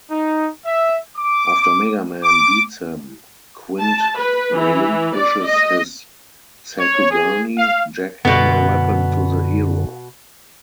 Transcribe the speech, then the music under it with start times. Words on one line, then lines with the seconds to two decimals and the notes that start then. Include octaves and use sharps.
After Mega Man beats him, Quint relinquishes his "Sakugarne" jackhammer weapon to the hero.
0.11 D#4
0.66 E5
1.17 D6
2.24 D6
3.81 A5
4.18 B4
4.54 E3
5.16 D5
5.45 D#5
6.79 C#5
7.11 G#4
7.57 F5
8.25 F#2 B2 D3 B3